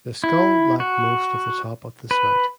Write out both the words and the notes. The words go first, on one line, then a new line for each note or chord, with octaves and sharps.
The skull lacked most of the top of the snout.
E4
F#4
B4